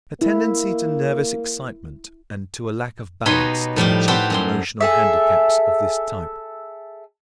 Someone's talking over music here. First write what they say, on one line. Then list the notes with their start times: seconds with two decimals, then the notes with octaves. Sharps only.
A tendency to nervous excitement and to a lack of balance are the chief emotional handicaps of this type.
0.22 A#3 E4
3.26 B2 D#4 G4 B4 C#5 C6
3.76 A2 F3 G3 G4
4.08 F#4 G4 A4 B4 C5 G5
4.30 F#2 G3 C6
4.81 G#4 A4 E5